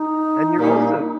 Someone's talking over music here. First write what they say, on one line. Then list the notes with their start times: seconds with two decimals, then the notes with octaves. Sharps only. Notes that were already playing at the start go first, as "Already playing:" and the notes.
And you're also
Already playing: D#4
0.58 A#2 G3 A#3 C#4